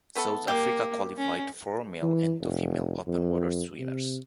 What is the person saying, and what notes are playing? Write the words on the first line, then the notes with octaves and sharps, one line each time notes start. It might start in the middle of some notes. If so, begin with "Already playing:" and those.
South Africa qualified four male and two female open water swimmers.
A3 B3 A4
A#3 G4
C#4
E3
F1
F2
C3